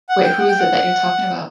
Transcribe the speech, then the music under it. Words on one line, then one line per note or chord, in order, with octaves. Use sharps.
Wait, who is it that you're talking about?
F#5
G5
F#5
G5
F#5